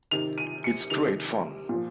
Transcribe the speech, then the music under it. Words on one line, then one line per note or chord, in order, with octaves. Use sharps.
It's great fun.
C3 D#3 F7
D#7
C#7
C3 D#3 F7
A#2 F3